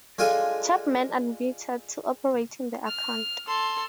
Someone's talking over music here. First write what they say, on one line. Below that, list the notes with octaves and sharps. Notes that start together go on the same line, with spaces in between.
Chapman admitted to operating the account.
G#3 D4 F4 A4 G#5
F6
A4 C6